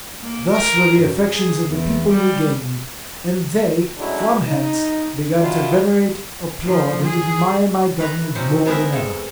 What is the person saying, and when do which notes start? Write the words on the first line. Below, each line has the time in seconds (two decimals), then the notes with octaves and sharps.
Thus were the affections of the people regained; and they, from hence, began to venerate, applaud, and admire my government more than ever.
0.21 A#3
0.51 A#4
0.98 F#2
1.28 G#4
1.69 E2
2.09 G3
3.97 F#3 G#3 A3 C#4 D4 E4
4.47 D#4
5.39 D#3 F#3 D4 E4 F4
6.65 F3
7.05 G#4
7.99 E3 B4 A#5
8.35 F#3 C4 C#4 D#4
8.65 C3 G#3 B3 G#4 A#4 E5
8.93 G#3 A4